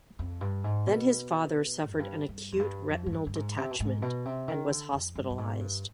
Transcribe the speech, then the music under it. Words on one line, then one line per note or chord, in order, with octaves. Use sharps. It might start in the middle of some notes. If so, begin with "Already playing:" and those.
Then his father suffered an acute retinal detachment and was hospitalized.
F2
G2
G#2
B2
F2
G2
G2
F2
G2
F2
G#2
G2
G2
G#2
C3
B2
G#2
B2
C3
D#3
D3
F2
G2
G2
G#2
G2